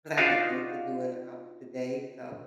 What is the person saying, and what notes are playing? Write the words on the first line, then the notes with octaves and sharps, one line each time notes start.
cause I have, like, things to do in the house today, so
D4 D#4 F4 F#4 F5